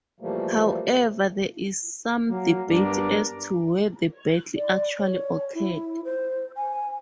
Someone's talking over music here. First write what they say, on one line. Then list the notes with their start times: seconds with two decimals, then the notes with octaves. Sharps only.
However, there is some debate as to where the battle actually occurred.
0.20 B2 E3 F3 G3 A3 A#3
2.29 F#3 A#3
2.68 G2 B3 D4 A#4 D5
4.56 D5
4.99 C#5
5.55 E4
6.05 C5
6.57 G#5